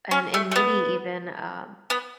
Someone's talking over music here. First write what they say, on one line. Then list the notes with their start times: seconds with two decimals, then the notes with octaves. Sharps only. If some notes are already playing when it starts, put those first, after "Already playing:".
And and maybe even, um,
0.11 C#4
0.34 A3
0.51 A3
0.56 B3
1.90 B3